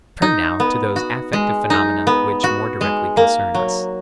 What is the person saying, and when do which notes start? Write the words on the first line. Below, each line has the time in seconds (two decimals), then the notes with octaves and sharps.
Turn now to those affective phenomena which more directly concern us.
0.22 D#4
0.60 B3
0.96 F#4
1.33 G#3
1.70 D#4
2.07 B3
2.44 F#4
2.81 G#3
3.17 A#3
3.55 F#3